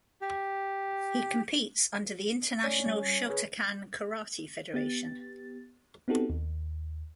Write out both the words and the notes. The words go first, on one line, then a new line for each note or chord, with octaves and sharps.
He competes under the International Shotokan Karate Federation.
G4
A3 C#4 D5
G3
G#4 B4 C#5
B3 G4 A6
B3 C4 D#4 F#4 G4 A4
D#2